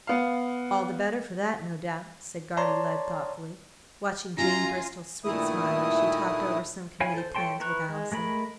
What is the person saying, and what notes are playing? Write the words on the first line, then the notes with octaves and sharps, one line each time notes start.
"All the better for that, no doubt," said Guardy Lud thoughtfully, watching Jane Bristol's sweet smile as she talked over some committee plans with Allison.
B3 F5
C#5 D5 A5 A#5 C6
F#2 F#3 F4 G#5 A#5
G2 A#2 D#3 A3 E4 D#6
E4 C#5 F5 G#5
A4 C5
A4 C#5 G5 A5 C6
E4 B4 A#5 C#6 F#6
G#3
G#3 A3 A#4 B5